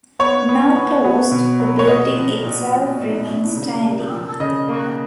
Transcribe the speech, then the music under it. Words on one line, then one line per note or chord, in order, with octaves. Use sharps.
Now closed, the building itself remains standing.
B3 C#5
B3
B3
B3
B2
F#3
C#5
A#2 D#5
F3
A#2
F3
A#2
A#2
C#3
A#3
F3
C#3 D#5
A#3